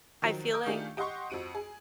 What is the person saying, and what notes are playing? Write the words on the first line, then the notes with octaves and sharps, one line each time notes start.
I feel like
D#3 F3 F#3
A#4 D#6 G6
D#3 A3 D4 F4 G4 G#4
G4 D#5 F#5 C6 C#6
F2 C4 F#4 D7 D#7
G#4